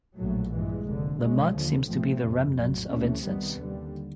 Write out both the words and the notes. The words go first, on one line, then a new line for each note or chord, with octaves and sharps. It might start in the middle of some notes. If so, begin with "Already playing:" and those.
The mud seems to be remnants of incense.
A#1 A2 F#3 A3
G2 E3 G#3
F1 D#2 D3
B1 B2 G#3 C#4
D#2 D3 F3
A1 A2 F3 A3 C4
G1 F2 C3
A#1 A2 F#3
D2 C3 E3 A3 C#4
C2 C3 D#3 G3 B3
D#2 D3 G3